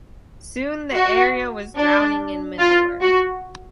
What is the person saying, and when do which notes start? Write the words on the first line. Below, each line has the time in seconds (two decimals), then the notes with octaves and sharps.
Soon the area was drowning in manure.
0.94 F#4
1.77 D4
2.60 F4
3.01 F#4